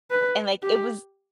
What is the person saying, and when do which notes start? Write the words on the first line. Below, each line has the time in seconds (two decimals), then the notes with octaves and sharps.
And, like, it was
0.11 B4
0.63 G4